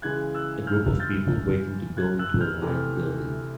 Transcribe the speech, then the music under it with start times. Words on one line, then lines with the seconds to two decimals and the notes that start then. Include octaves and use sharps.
A group of people waiting to go into a white building.
0.02 C#3 E3 G#3 F#6 G#6
0.35 E6 F#6
0.67 F6 G6
1.00 G6 A6
1.97 F#6 G#6
2.19 E6 F#6
2.40 F6 G6
2.62 C3 E3 A3